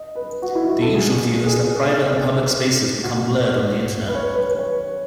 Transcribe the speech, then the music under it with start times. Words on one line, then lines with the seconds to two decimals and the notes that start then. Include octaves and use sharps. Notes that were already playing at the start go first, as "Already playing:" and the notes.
The usual view is that private and public spaces become blurred on the Internet.
Already playing: D#5
0.16 B4
0.42 F#4
0.55 E4
0.68 F#4
0.81 A4
0.94 G#4
1.46 G#4
3.03 F#4
4.08 B4
4.15 C#5
4.22 B4
4.34 B4
4.59 C#5